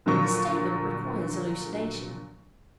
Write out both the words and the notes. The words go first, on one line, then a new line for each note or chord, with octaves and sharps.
This statement requires elucidation.
A#2 D3 F3 F#3 C#6